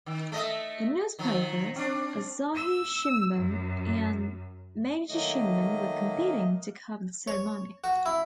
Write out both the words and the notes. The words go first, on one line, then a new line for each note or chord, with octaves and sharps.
The Newspapers Asahi Shimbun and Mainichi Shimbun were competing to cover the ceremony.
D#3
A3 D#5 E5
D#3 F3
C4 D4
E6
F#2
D#3 F#3 A3 A#3 D#5
C#5
F#4
E4